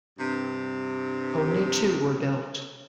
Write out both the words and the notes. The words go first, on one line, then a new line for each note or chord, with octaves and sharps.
Only two were built.
G2 C3